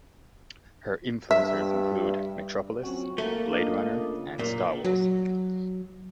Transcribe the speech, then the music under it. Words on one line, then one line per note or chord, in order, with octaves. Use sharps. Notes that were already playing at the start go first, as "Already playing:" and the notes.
Her influences include "Metropolis", "Blade Runner", and "Star Wars".
G2 E5
A#2 F#3 C4 C#4 F#4
A3 A#3
D4 F4 D#5
C#3
F#2 A#2
F#3